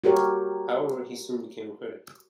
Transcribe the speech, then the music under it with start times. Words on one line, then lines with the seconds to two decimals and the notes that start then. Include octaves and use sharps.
However, he soon became a critic.
0.04 F#4 G4 A#4 C#5